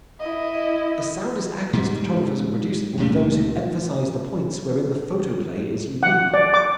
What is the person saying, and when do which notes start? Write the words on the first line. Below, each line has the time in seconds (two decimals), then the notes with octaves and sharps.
The soundest actors, photographers, and producers will be those who emphasize the points wherein the photoplay is unique.
0.20 E4 D#5
1.73 G#2 G3
2.98 C#2 A#2 G3 A3
6.03 F#5
6.34 D5
6.54 D6